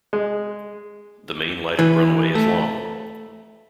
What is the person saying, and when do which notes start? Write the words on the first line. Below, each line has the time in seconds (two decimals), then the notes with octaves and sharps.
The main lighted runway is long.
0.13 G#3
1.79 E3
2.35 A3